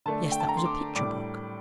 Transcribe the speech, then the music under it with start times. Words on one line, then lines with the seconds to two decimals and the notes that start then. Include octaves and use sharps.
Yes, that was a picture book!
0.06 D3 A3 D4 A5
0.32 G5
0.40 A5
0.48 A#5
0.57 C6
0.65 D6
0.95 A2 G3 D4 D6